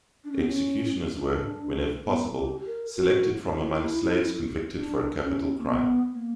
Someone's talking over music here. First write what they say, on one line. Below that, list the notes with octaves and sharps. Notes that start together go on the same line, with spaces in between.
Executioners were, whenever possible, selected from among slaves convicted for a capital crime.
D4
C#4
B3
C#4
D4
B3
G4
A#4
F#4
E4
D4
C#4
A#3
B3
A#3